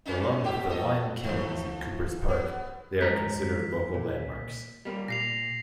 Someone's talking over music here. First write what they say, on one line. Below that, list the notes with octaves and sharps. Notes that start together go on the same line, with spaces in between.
Along with the lime kilns in Coopers Park, they are considered local landmarks.
G2 C#4 D#4
A2 F#4 G4
A2 A4 D#5
D#3 F3 A3
B3
G#2 C#4 A#5 B6
A#2
G3 A#3
A#2 A#6 C7 F7